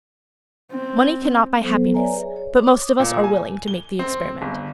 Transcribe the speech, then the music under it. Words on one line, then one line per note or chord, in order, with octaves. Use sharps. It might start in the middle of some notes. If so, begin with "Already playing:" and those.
Money cannot buy happiness, but most of us are willing to make the experiment.
C4
F#3 B3 A4 C5
B4 C#5 D5 E5 G#5 A#5
G#4
C#5
D6 D#6
A#2
G#5
G7
C4
G1